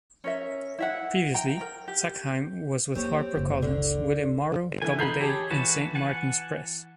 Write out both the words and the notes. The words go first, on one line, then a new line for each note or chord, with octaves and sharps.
Previously, Zackheim was with Harper Collins, William Morrow, Doubleday, and Saint Martin's Press.
C#4 A#4 E5
E4 E5 F#5
G5 A#5
A#4
G4
F#3 A#3 C4 G4 C#5
F#1 C#2
D3
D3 E3 E4 G#5
D#4 A4 B5 G6 C7
G4 G#4 C#5 A5
E3 F#4 B4 A5
F#5 G#5 A5